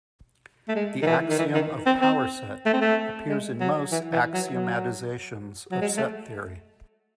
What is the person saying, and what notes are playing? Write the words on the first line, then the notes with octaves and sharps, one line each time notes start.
The axiom of power set appears in most axiomatizations of set theory.
A3
G#3
D#3
E3
D#3
E3
D#3
C4
C4
A3
C4
A3
G#3
F#3
E3
E3
F#3
F#3
F#3
G#3
A3